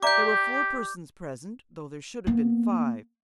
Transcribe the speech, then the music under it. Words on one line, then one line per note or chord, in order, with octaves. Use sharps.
There were four persons present, though there should have been five.
G4 D5 E5 A#5 D6 G6
A#3 B3